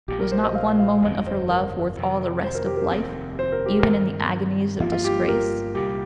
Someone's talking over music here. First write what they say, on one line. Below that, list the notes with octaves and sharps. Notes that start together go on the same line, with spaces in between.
Was not one moment of her love worth all the rest of life, even in the agonies of disgrace?
A#1 A#2 F3 G4
A#4
C5
D#5
F5
F5
G1 F2 D#3 D#5
C5
A#4
F2 C3 D#3
C5
A#4
G4
A#4
F1 D#2 D#3 C4
C5
A#4
G4
A#4
G2 D#3 C4
G1 G2 F3 A#3 F4
F4
G4
A#4
C2 A#2 G3 G4